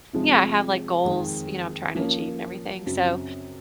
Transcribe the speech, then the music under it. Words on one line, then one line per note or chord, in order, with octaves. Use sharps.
Yeah, I have, like, goals, you know, I'm tryna achieve and everything. So
C3 F3 G#3 C4
F2 D#3 G#3 C4
F3 A#3 C#4
F#2 C#3 F#3 C4